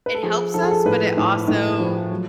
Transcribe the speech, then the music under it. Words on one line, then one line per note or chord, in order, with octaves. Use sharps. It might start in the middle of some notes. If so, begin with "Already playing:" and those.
it helps us, but it also
B4
A4
F3 G#4
F3 A4
G#4
A4
A2 B4
A2
A2
F3
F#3